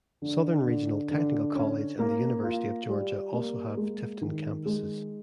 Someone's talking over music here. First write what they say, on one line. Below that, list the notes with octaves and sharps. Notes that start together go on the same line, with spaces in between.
Southern Regional Technical College and the University of Georgia also have Tifton campuses.
D3
D3
D3
C#4
A#3
F4
G3
A#3
G#3
D#3
G#3